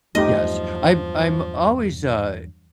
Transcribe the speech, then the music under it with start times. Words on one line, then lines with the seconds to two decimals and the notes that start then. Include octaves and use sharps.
Yes. I'm I'm always, uh,
0.15 E2 G2 F3 F#3 A3 D#4 G4 D#5